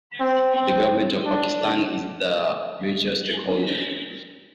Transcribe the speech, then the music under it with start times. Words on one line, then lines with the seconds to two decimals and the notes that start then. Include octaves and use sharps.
The Government of Pakistan is the major stakeholder.
0.20 C4
0.56 C4
1.26 D4